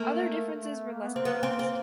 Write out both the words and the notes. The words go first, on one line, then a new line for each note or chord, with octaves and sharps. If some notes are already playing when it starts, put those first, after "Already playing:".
Other differences were less pronounced.
Already playing: A3 A#3
A3
A#3
B3
A#3 C4
A#3 B3
C4
C4